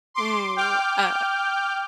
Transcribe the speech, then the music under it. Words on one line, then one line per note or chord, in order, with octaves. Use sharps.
Ooh, uh,
C6 D6
G5 D6 F6 G6